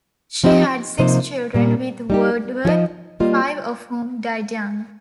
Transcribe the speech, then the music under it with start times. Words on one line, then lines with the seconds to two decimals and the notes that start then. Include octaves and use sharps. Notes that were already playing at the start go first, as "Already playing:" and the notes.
She had six children with Woodworth, five of whom died young.
0.44 F3 C4 D#4 G4 D#5
0.99 C3 F3 A#3 D#4 C5
1.54 A#2 G3 A#3
2.10 G3 D#4 G4
2.65 F3 D#4 G4 C5 D#5
3.20 G3 A#3 F4 D#5